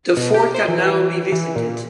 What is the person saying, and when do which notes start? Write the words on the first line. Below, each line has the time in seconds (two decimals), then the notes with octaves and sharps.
The fort can now be visited.
0.17 B2
0.34 G4
0.54 C5
0.68 E3
1.32 E3
1.56 A#2